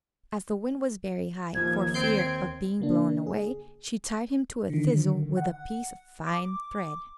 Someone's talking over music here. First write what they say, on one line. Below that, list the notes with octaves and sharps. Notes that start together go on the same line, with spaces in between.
As the wind was very high, for fear of being blown away, she tied him to a thistle with a piece of fine thread.
D#2 F3 G#6
C4 G6 C7 D7
C#3 A#3 D4
G#4
D3 D#3
F#5
D6